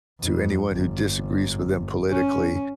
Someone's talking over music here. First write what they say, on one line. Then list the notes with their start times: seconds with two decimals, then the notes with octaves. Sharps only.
to anyone who disagrees with them politically,
0.21 F2
0.72 G1
2.11 C#4